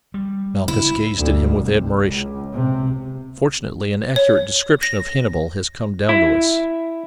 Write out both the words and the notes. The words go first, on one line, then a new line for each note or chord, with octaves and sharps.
Malchus gazed at him with admiration. Fortunately an accurate description of Hannibal has come down to us.
G3
C#2 E4
D2
C2
C#2
C3
C#5
A#6
E4